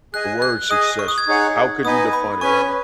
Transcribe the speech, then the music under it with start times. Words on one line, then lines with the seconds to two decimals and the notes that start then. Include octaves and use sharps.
The word success; how could you define it right now?
0.14 G#4 D#5 G#5 F#6
0.42 F#6
0.70 G#4 D#5 G#5 D#6
0.99 C#6
1.08 D#6
1.18 G#6
1.27 D#4 G#4 C#5 F#5
1.84 B3 D#4 B4 D#5 G#5 D#6
2.13 B5
2.41 C#4 B4 G#5 C#6